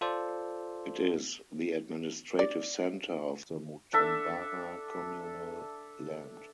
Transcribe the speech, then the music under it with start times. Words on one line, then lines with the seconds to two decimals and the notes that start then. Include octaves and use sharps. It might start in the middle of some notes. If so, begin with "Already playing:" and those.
It is the administrative centre of the Mutambara communal land.
0.01 F4 A4 C5 D5
2.39 D5
3.93 D4 A4 E5